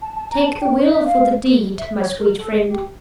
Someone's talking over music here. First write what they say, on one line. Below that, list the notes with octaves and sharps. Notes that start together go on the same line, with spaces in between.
Take the will for the deed, my sweet friend.
A5
A5
A#5
A5
G5
E5
F5
E5
C#5
A#4
A4
G4